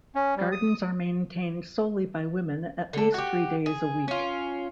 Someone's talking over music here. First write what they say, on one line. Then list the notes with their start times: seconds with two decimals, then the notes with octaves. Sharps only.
Gardens are maintained solely by women, at least three days a week.
0.15 C#4
0.36 G3
0.52 D#6
2.93 D3 A4
3.14 F#4 G4
3.66 G#4
4.08 C#4 F4